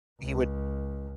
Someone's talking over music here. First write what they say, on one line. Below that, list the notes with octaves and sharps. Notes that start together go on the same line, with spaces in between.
he would,
C#2